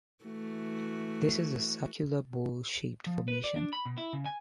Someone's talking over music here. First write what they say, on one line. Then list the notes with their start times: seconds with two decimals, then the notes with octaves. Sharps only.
This is a circular, bowl-shaped formation.
0.24 E3 A3 F#4
3.06 F3
3.28 B4
3.44 D5
3.56 D4
3.73 B5
3.85 B2
3.98 E4
4.13 C#3
4.26 G#5